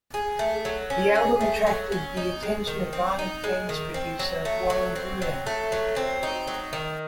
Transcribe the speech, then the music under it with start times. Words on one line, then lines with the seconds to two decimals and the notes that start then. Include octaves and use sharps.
The album attracted the attention of Violent Femmes producer, Warren Bruleigh.
0.14 G#4
0.39 A3
0.65 F#3
0.90 C#4
1.15 G#4
1.41 A3
1.67 F#3
1.92 C#4
2.17 D#4
2.43 G#3
2.67 D#3
2.93 C4
3.19 D#4
3.44 G#3
3.69 D#3
3.94 C4
4.19 F#3
4.45 A3
4.70 F#3
4.96 C4
5.22 F#3
5.47 A3
5.72 F#3
5.96 C4
6.23 D#4
6.47 F#3
6.73 D#3